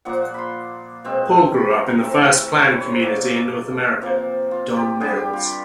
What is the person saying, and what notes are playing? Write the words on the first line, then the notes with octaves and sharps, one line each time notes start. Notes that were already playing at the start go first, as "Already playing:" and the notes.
Paul grew up in the first planned community in North America, Don Mills.
A#2 F3 A#3 F#5
F#5
B5 C6
B2 G#3 C4
B5
A#5
A#5
E3 A3 C4 E5
A#4
A4
B4
C#5
C#5
C5
B2 F#3 A#3 A4
C3 F3 A#3
F4
G4
D3 G3 B3 G#4
G4
F4